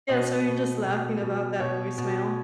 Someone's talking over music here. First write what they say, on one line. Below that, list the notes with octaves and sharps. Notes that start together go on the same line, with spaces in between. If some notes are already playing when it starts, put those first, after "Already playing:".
Yeah, so we're just laughing about that voicemail.
B2 D#5
B2
B2
B2
B2 C#5
B2